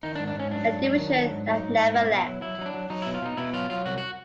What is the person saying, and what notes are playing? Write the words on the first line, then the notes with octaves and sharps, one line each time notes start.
A division that never left.
D#3 D#4
D4
G#2
D4
G#2 C#4
F#3 D4
G#2
F#3
D#3
F#3
G#2
F#3 D#4
G#2
G#2
B2 E4
B2
F#3
F#3 E4
F#3 D#4
D4
F#3
F#3 D#4
B2 E4
F4
B2 D#4
B2 E4
F#3 F4
F#3 F4
C2 F#4
F#4